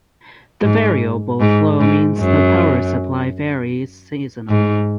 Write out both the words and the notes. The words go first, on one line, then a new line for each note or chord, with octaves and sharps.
The variable flow means the power supply varies seasonally.
G#2
G#2
G#2
F#2
G#2